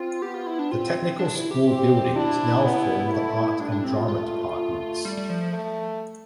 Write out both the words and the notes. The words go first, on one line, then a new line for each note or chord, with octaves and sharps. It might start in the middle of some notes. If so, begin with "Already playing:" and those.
The Technical School buildings now form the Art and Drama departments.
Already playing: C4 F4
B3 G4
F4
E4
D4
C4 F4
D4
E4
G4
C4
D4 E4
B3
A3
G3 D4
D4
C4
F4
A3 F4
G3
G3
F3
A3